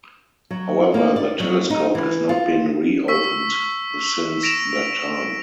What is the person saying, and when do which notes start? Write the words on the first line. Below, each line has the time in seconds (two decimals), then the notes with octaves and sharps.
However the telescope has not been reopened since that time.
0.51 F#3
0.94 A#3
1.16 D5
1.40 F#3
1.70 D#4
1.95 E3
2.29 F4
3.08 C#6 E6 B6
4.43 A#6 D7 E7 F7